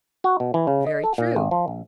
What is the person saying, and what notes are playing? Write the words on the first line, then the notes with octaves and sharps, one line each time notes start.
Very true.
F#4
B2
E3
C#3
D#5
A4
A#2
G#1
F3
A#1